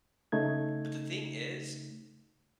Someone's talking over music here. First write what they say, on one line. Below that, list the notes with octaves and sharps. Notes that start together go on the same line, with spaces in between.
Eh, but the thing is,
C#3 A3 D#4 G#6